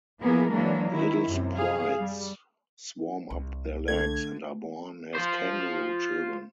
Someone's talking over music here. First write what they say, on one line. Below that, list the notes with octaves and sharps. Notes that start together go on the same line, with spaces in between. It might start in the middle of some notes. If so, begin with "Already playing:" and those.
Little sprites swarm up their legs and are born as kangaroo children.
F3 A#3 B3 E4 G#4 A#4
E3 F#3 G#3 A#3 D4
D#3 E4
F#2 C3
G#4 F5
G3
C2
D3 A3 G#6
F4 C5